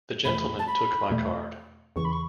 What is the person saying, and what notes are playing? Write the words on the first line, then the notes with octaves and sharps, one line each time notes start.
The gentleman took my card.
E2 B2 A3 B5
A5
B5
E2 B2 A3
E2 C#3 E3 C#6
B5
C#6